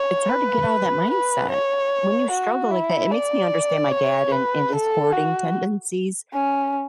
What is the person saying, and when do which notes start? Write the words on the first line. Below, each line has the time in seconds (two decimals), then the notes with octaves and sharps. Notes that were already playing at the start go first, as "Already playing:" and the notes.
it's hard to get outta that mindset. When you struggle like that, it makes me understand my dad and and his hoarding tendencies
Already playing: C#5
0.29 B4
1.10 B4
1.50 C#5
2.31 F#4
2.71 E4
3.12 D5
3.91 C#5
4.32 B4
4.72 A4
5.13 F#4
6.33 C#4